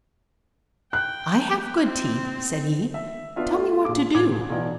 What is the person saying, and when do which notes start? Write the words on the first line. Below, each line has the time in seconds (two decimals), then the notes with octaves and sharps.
"I have good teeth," said he, "Tell me what to do."
0.93 G5 F#6
1.81 C4
2.94 E5
3.36 B3 D4 F4 E5
3.54 A3 F4
3.85 A#1 D6
4.14 A1 D6 G#6
4.50 B1 E3 F#4 D5